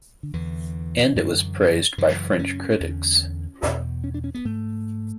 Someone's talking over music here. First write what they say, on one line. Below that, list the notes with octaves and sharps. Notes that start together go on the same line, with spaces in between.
And it was praised by French critics.
D3
E2 D3 E3
F#2 D3
F#2 C#3 E3
C#4
E2 D3
E2 B2
C#4
D4
C#4
B3
G#2 A3